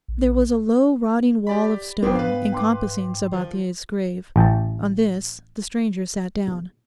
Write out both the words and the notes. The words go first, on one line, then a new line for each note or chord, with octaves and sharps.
There was a low rotting wall of stone encompassing Sabathier's grave; on this the stranger sat down.
A#1
G4 D5 B5
G1 F2 B3 C4 D4 G5
G#2 B4 F5
G5 C6 D6
D#3 F3
A1 G5 A5